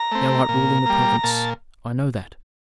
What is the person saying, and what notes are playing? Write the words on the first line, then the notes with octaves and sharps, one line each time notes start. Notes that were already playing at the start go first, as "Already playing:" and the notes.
Thou art ruling the province--I know that.
Already playing: A#5
A3 C4
A#2
G3 A#3
A#2 A5